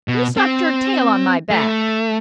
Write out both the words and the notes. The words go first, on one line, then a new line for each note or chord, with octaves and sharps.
"You slapped your tail on my back!"
B2
C4
A3